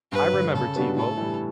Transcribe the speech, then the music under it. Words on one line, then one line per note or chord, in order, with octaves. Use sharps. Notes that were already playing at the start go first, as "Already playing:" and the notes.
I remember TiVo.
G2 B4
D3 G3
C#3 A4
G3 B3 D4 F#4
A2 A4
E3 G3